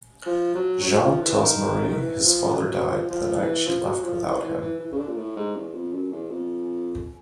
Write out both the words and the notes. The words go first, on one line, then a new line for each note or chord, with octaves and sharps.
Jean tells Marie his father died the night she left without him.
F3
F#3
F#3
F3
E3
D#3
D#3
E3
F3
F#3
F#3
F3
F3
E3
F3
F#3
F3
E3
E3
E3
E3
C#3
D3
A#2
A2
G#2
E2
F2
F#2
E2
F2